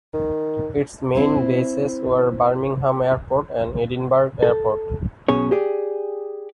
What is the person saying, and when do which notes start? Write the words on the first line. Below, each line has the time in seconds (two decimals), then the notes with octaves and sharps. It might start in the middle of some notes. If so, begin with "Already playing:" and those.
Its main bases were Birmingham Airport and Edinburgh Airport.
0.14 D#3
1.15 C4 E4 C5
4.43 A4
5.28 B1 B2 C#4 G#4 C#5
5.51 G4 G#4 D5